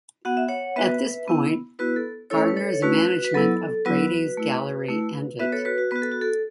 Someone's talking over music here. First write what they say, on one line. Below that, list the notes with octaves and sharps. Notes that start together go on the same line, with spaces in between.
At this point, Gardner's management of Brady's gallery ended.
B3 F#4 F#5
E5
C#5 F#5
B3 F#4 B4 E5
B3 E4
B3 E4 F#4 B4
A4
A3 C#4 E4 A4 C#5
B4
A4 C#5
A3 C#4 E4 F#4 B4
B4
F#3 B3 E4 A4
F#3 B3 E4 F#4 B4
A3 E4
A3 E4
B3 F#4 B4 E5
A4 C#5
F#4 B4
F#4
B3 F#4 B4
A4
F#4
A4